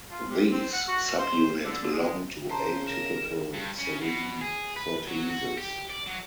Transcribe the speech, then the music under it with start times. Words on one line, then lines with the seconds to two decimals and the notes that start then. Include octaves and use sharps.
These subunits belong to atypical serine proteases.
0.11 F4
0.31 C3
0.52 C4
0.72 F#5
0.88 F#4
1.19 C5
1.64 D3
1.91 G#3
2.50 C#3 C5 A5 A#5 C6
2.87 A#4 E7
3.54 G2
3.78 C#3
4.01 B2
4.41 G#4
4.76 B4
5.07 F#3
5.29 F#4
5.58 G4
5.90 D5
6.07 F#3